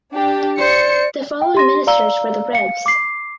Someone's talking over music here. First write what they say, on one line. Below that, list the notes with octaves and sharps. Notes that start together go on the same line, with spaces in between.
The following ministers were the Revs.
D4 G4
C5 D5 C#7
G5
G4 C6 A#6
D5 F5 A#5 E6 G7
F5 C#7
D6 C7